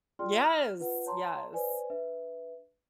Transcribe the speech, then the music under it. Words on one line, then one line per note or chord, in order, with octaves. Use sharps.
Yes, yes,
F4 G#4 D5 G5 C6 F6
F6
F4 B4 F#5
C#5 A5 A#5 C6
B4 C5 D5 G#5
D4 B4 E5